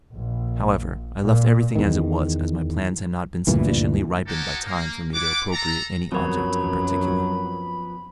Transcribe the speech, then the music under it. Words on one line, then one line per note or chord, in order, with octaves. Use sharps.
However, I left everything as it was, as my plans had not been sufficiently ripened by time for me to appropriate any object in particular.
A#1
A#2
E2 D#3
D2 G2 A#2 E3
G#3 F#4 G4 A4 A#4 C#5
A#3
D4 E4 F#5 D6
A4 A#5
F#2 F3 F#3 B3 C4 A#4 C#5 B5